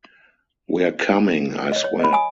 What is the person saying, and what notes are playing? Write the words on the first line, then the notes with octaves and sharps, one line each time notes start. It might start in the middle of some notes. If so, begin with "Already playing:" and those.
We're coming, I swear.
C#5 D#5
C#5
D#5 B5
G#5 D#6